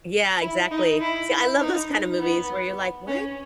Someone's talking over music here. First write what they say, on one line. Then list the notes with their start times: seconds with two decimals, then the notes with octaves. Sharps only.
Yeah, exactly, see, I love those kind of movies where you're like, "What,
0.41 E4
0.71 D#4
1.00 E4
1.59 D#4
2.19 B3
3.07 C#4